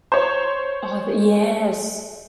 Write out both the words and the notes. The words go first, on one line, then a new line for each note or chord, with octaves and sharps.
Oh yes.
C5 C#5